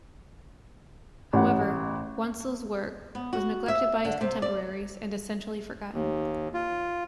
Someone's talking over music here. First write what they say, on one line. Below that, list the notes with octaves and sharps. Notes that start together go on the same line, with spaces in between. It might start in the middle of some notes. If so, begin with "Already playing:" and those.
However, Wantzel's work was neglected by his contemporaries and essentially forgotten.
A1 F#5
B3
F#4
E5
D3
C3
D5
D#2
F4